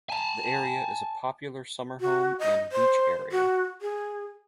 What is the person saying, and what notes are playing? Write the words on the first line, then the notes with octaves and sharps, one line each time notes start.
The area is a popular summer home and beach area.
G#5 A5
F#4
D#5
C5
F#4
G#4